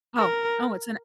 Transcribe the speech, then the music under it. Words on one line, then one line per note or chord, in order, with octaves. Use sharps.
Oh, oh, it's an
A#4